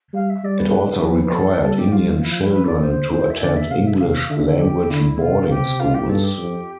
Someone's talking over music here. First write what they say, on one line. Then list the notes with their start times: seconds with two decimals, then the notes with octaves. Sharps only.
It also required Indian children to attend English-language boarding schools.
0.13 G3 F5
0.29 E5
0.44 G3 D5
0.58 B4
1.03 F3
1.24 B4
1.33 A4
1.62 G3 A4
1.78 G4
1.92 G3 F4
2.22 F3 E4
2.32 F4
2.41 B4
2.52 B4
2.66 D5
2.81 D3 C5
3.11 E3 C5
3.30 E5
3.41 D3 D5
3.56 E5
3.70 C3 F5
3.85 E5
4.00 C3 F5
4.30 D3 E5
4.60 G4
4.90 D3 E4
5.19 C3 F4
5.49 C3 G4
5.79 F4
5.94 G4
6.09 G2 A4
6.23 G4
6.38 F2